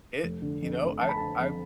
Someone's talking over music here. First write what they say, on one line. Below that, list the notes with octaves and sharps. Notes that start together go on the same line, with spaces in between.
it you know, I I,
F1
D3
F2
F1
F1 A5
B5
D3 A5
F2